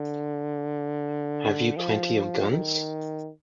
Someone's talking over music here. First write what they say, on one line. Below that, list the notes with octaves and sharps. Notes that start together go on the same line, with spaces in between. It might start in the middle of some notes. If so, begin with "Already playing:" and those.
Have you plenty of guns?
Already playing: D3
F3
D#3